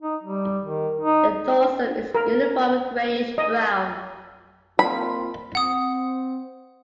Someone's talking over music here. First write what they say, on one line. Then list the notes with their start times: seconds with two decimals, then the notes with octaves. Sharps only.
The dorsum is uniform grayish brown.
0.02 D#4
0.23 G3
0.64 D#3
1.01 D#4
2.15 A#4
3.38 D#5
4.79 A#3 C4 F4 B5
5.55 C4 F#5 D#6